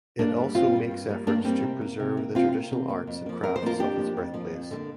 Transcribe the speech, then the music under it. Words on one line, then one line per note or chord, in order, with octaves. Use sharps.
It also makes efforts to preserve the traditional arts and crafts of its birthplace.
G2 A#3 D4
G3 A#3
G2 C4 F4
G3 A#3
G2
G3 A#3
G2 A#3 D4
G3 A#3 C4
C3
A#3
C3
A#3
C3 C4 F4
A#3
C3
A#3
F2
F3 A#3
F2 A#4
C5
F3 A#3 F4 A#4
F2 D4 G4
F3 A#3
F2
F3 A#3
F2
D3 G3 A#3